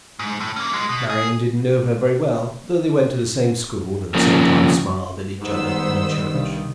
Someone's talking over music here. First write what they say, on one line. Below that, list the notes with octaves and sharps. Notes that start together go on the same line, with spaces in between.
Marian didn't know her very well, though they went to the same school and sometimes smiled at each other in church.
G#2
A2
A#3 C#4
F#3 G#3
B2
G#4
F2 C#3 F3 A#3
G#2 D#3 G3 B3 C5 E6
C2 G2